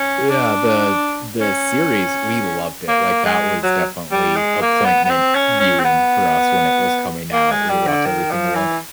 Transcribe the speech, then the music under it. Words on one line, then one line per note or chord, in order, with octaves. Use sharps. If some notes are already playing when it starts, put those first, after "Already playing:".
yeah, the the series, we loved it, like, that was definitely appointment viewing for us when it was coming out, we had watched everything one
Already playing: C#4
D4
C#4
A#3
G#3
F#3
G3
G#3
A#3
B3
B3
C4
C#4
C#4
C4
B3
A#3
G#3
G3
D3
D#3
F3
E3